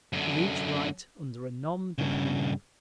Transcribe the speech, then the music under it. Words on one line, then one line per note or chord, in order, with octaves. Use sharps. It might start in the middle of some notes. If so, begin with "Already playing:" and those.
We each write under a nom-de-plume.
F#2 D3
G2 C#3